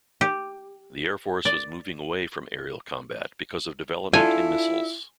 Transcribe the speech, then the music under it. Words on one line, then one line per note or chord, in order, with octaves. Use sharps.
The Air Force was moving away from aerial combat because of development in missiles.
G4
D5
D4 E4 F4 A4 G#5